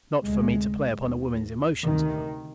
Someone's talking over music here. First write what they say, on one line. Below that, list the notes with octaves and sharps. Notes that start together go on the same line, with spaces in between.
Not for me to play upon a woman's emotions!
D2 C3 G#3
D#2
D2 C3 D#3